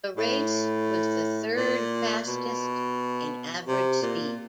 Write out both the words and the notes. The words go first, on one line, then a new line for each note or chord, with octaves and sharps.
The race was the third fastest in average speed.
A2
A#2
B2
C3
A#2